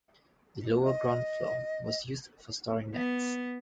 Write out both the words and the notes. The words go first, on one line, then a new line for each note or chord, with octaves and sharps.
The lower ground floor was used for storing nets.
D#5
B3